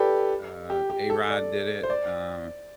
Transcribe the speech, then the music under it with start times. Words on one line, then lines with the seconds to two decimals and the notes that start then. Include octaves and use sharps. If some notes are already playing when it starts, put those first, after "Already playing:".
uh, A-Rod did it, um,
Already playing: G4 A4 B4 D5
0.70 G4
0.90 G4
1.10 A4
1.30 D5
1.83 C5
1.90 D5